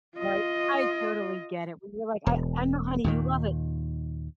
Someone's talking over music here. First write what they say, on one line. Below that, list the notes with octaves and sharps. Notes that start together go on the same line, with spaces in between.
Right, I totally get it when you're like, "I I know, honey, you love it.
F4 D#5
E1
D#2 A#2 D#3